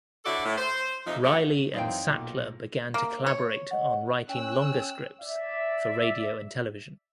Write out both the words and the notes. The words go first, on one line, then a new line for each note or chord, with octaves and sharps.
Reilly and Sattler began to collaborate on writing longer scripts for radio and television.
D3 E4 F#4 A4 C#5 D5
A2
C5
F2 C3 F3 D#4
F3 F#3 G#3 A3 D4 G4
F#2 E3 C4 D#4 F5 G5
B1 A#2
A#3
C#5
D#5 F#5
C#4 G5 E6 F#6
D5 E5